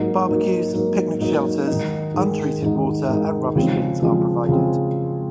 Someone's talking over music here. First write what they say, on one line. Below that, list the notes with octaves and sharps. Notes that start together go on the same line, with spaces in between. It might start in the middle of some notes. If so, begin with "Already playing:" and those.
Barbeques, picnic shelters, untreated water and rubbish bins are provided.
Already playing: G#2 F#3 A#3 D#4
G#2 F#3 A#3 D#4
G#2 F#3 A#3 D#4
G#2 F#3 A#3 D#4
G#2 D#3 G#3 D#4
G#2 D#3 G#3 D#4
G#2 D#3 G#3 D#4
G#2 D#3 G#3 D#4
C#3 F3 G#3 C4
C#3 F3 G#3 C4
C#3 F3 G#3 C4